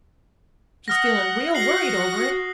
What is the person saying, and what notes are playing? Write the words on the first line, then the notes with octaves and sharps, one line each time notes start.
She's feeling real worried over it.
F#5 D#6 F6 A#6
F#4 F#5 F#6 A#6 C7 F#7